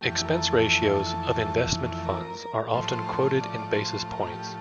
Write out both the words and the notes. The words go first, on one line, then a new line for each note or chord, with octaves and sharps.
Expense ratios of investment funds are often quoted in basis points.
F2 E3 A3 G4
A#4
A4
A#4
A2 F3 A3 C5
D5
C5
A#4
G4